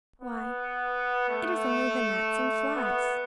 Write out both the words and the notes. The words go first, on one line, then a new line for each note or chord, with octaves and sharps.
Why, it is only the gnats and flies.
B3
A3
B3